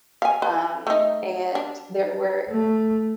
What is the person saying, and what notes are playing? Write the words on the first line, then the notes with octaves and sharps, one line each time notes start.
um, and there were
F5 G#5
B4
A3 D#4
D4
A3